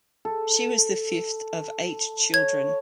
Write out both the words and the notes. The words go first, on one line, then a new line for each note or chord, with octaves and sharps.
She was the fifth of eight children.
A4
C#5 G#6